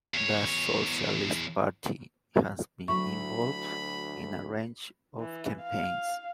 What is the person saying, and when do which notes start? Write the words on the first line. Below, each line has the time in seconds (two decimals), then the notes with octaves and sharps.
The Socialist Party has been involved in a range of campaigns.
0.14 E2 C#5
2.88 D2 F#3 E4 B5 C#6
5.20 E3
5.62 F5